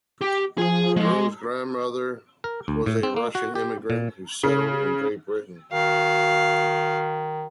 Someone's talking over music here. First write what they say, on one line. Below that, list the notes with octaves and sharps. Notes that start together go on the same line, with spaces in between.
Keogh's grandmother was a Russian immigrant who settled in Great Britain.
G4
F3 G#4 G#5
G#3
A#4
D2
A2
C4
A#3
F#4
G4
A#2
C#3
D#3 F#4 F5